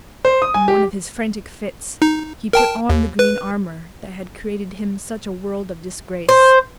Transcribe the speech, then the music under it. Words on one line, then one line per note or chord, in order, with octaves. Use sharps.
In one of his frantick Fits, he put on the green Armour, that had created him such a World of Disgrace.
C5
D#6
G#5
G4
D#4
A#4 G5 A5
D#2
B4
C5